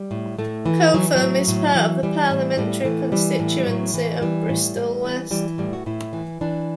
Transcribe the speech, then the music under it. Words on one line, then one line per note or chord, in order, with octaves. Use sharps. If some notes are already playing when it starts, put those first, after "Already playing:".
Cotham is part of the parliamentary constituency of Bristol West.
Already playing: G3
A2
A2 A3
E3
E3 F#3
F#3
A2
A2
E3
E3 G3
A2
A2 G3
E3 A3
E3 G3
A2 G3
G3
A2 F#3
E3
E3 G3
A2
A2
E3
E3 G3
A2 G3
F#4
A2 E4
E3
E3 D4